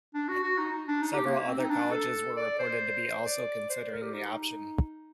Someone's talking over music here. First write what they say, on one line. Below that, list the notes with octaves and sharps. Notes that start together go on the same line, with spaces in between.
Several other colleges were reported to be also considering the option.
D4
F#4
F#4
D#4
D4
D#4
G4
A#3
C4
D#4
D4
A4
D5
C5
D5
C5
A#4
G4
D#4